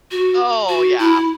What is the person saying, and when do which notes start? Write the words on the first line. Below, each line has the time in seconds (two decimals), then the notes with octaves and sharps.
Oh, yeah f
0.11 F#4
0.69 F#4
0.99 E4